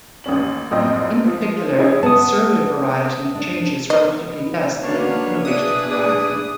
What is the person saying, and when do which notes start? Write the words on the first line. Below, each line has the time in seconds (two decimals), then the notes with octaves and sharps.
In particular, a "conservative" variety changes relatively less than an "innovative" variety.
0.24 A1 D#2 C#4 F#7
0.71 A#1 F#2 A2 C4 D#5
1.25 F3
1.78 C#4 E4 G#4 C#5 D#5
2.03 B3 A5 D#6
3.35 D4
3.90 B3 D#5
4.83 A#3 B3 D4 F#4 C#5 F5
5.45 D4 E4 G#4 B4 D5 D#6